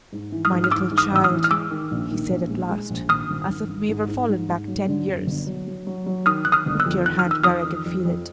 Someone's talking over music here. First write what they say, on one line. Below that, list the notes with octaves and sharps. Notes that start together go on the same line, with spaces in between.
"My little child," he said at last, as if we were fallen back ten years, "put your hand where I can feel it."
G#2
E3
D#6 F6
G#2
F6
E3 D6 E6
G#2
D#6 F6
A1 E6
D#6 F6
E3
F6
G#3 D6 E6
D#3
A#1
D#3
A#1
G#3
G#3
A#1
G#1 D#6 F6
G#1
G#1
G#1
G#2
G#2
G#2
G#2
F#3
D3
F#2
G1
F#3
F#3
F#3
F#3
D#3 D#6 F6
D#3 F#6
D#6 F6
G1
E6 F#6
F2
D#3 F#6
F6
D#3
E6
F2 D#6 F6
D#3
F2
F2